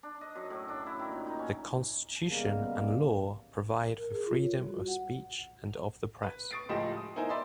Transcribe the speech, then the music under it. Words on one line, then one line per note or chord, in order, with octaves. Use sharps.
The constitution and law provide for freedom of speech and of the press.
D4
D#5
F#2
A2
D4
E4
D#3
A#2
D#4
C#4
C#3 G3 G#3 A#3 B3
A#4
G#4
F4
C#5
G3
F#4
F#5
B4
C#6 D#6 A6 C7 D7
C#2 A2 F3 G4 D#5 E7
D#6
B3 D#4 E4 A#4 C5 G#5
D5 E5 B5 C6 D#6